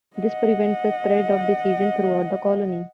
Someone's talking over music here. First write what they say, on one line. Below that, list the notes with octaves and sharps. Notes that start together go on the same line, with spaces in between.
This prevents the spread of disease throughout the colony.
D#5 F#5